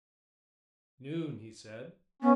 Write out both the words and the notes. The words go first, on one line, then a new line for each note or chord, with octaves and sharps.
"Noon," he said.
B3 C#4